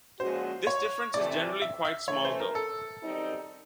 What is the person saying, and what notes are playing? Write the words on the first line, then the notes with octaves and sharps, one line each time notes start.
This difference is generally quite small though.
A#2 F3 G#3 C#4 F#4 C5
C#5
C3 E3 A3 D5
E5
E5
E3 A3 C#4 C#5
C5
A#4
A4
F#2 D#3 G3 C4 D#4